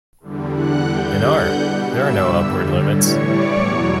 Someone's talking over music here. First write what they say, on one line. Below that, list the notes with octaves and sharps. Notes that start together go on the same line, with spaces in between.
In art there are no upward limits.
E2 D3 G3
F#5 F#6
E2 D3 G3 G5 G6
F#5 F#6
B2 G3
E5 E6
G2 D3 G3
A2 E3 G3 C#5 C#6
D5 D6
E2 B2 F#3 C#5 C#6